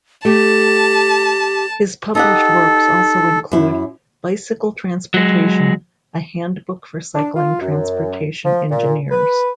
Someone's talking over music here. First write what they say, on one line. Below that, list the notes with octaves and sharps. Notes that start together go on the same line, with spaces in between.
His published works also include "Bicycle Transportation: A Handbook for Cycling Transportation Engineers".
A3 G4 A5
D#4 G4 A4 F#5
F#2 E4
F#3 G#3
D4
F4
F#2
F3
A#2
B4